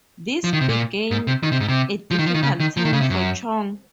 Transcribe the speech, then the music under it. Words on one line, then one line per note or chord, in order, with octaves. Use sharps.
This began a difficult time for Chong.
F3
D#3
C3
A#2
G#2
C3
D#3
C3
G#2
C3
F3
D#3
F3
D#3
C#3
D#3
F3
D#3
C#3
C3
F#2